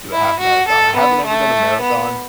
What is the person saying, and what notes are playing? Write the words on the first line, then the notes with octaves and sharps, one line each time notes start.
do a half marathon," I haven't ever done a marathon,
E4
F#4
A4
B3
A3
B3